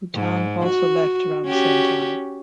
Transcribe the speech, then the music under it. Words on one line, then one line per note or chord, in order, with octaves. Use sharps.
Rutan also left around the same time.
G#2
F#4
C#4 F#4 G4